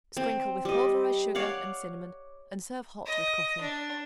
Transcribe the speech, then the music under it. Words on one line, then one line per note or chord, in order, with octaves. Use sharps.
Sprinkle with pulverized sugar and cinnamon and serve hot with coffee.
C4
G3 D#5
C#5 D5 F5 F#5
D#5
D4